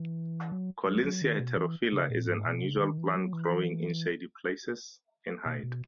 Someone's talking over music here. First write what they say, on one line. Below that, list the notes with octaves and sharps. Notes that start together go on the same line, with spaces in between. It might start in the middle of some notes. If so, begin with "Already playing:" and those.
"Collinsia heterophylla" is an annual plant growing in shady places, in height.
Already playing: E3
F#3
F#3
F#3
D#3
B2
E3
C#3
A#2
G#2
B2
C#3
D#3
E3
F#3
E3
B2
B2